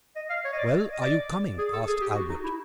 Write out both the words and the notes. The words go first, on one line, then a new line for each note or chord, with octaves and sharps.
"Well, are you coming?" asked Albert.
D#5
F5
C#5
D#5
D5
D#5
D5
G#4
A4
G#4
G4
F#4
D#4
E4